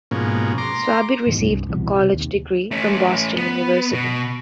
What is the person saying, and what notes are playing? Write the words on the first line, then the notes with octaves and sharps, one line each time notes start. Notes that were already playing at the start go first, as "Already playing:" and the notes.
Swaby received a college degree from Boston University.
G#2 B2 F3 A#3 C#4
A#5 C6 D6
D#1 E2 G#2 B2
C2 G2
C2 B2 E3 B3
C3
D#2
A3 C#4
B3
B2